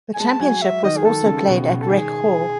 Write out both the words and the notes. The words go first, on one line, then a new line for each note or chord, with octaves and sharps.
The Championship also was played at Rec Hall.
G#5
G#3 A5
F#3 G#5
E5
D#3 D#5
G#4
D#3 A4
C#3
B2
B2
A4
D#3 G#4